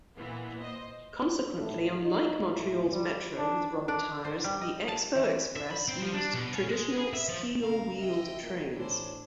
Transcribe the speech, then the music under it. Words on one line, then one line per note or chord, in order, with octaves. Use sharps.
Consequently, unlike Montreal's Metro with rubber tires, the Expo Express used traditional steel-wheeled trains.
A#2 E3 B3
C5 D#5
A2
D#4
A2
G3
D4
D4
C5
G3
D#5
A5
E3
E5
B5
C4
F3
D4
B2
C#4
G#3
G#4
E5
F3
B1 C#3 A#4 F5 A#5
D#5 E5 G5
A#3
A2 E3 D4 C5 C#5